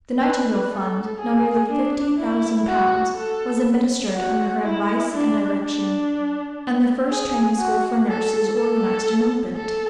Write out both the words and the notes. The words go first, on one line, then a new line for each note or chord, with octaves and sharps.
The Nightingale fund, now nearly fifty thousand pounds, was administered under her advice and direction, and the first Training School for Nurses organized and opened.
B4
A4
G#4
D4
E4
F#4
A4
F#4
E4
D4
D4
G#4
F#4
A4
A4
A4